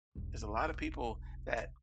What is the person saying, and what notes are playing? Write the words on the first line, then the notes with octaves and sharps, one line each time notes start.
There's a lotta people that
E1 B1